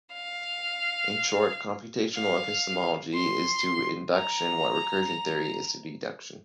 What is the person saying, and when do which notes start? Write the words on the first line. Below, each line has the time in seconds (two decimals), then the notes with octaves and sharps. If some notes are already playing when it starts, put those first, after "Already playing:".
In short, computational epistemology is to induction what recursion theory is to deduction.
0.13 F5
2.15 F5
3.14 C6
4.15 A#5